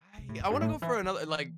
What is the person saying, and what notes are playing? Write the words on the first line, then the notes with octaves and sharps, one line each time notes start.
I I wanna go for another, like
C3
A2
F2
G2
A2
D3
E3
E3